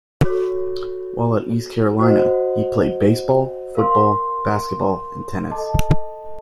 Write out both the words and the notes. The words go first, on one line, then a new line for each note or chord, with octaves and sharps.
While at East Carolina, he played baseball, football, basketball, and tennis.
F#4 A4 C#5
F#4 C5 D#5 F#5
A#4 F5 C6
A4 D#5 A5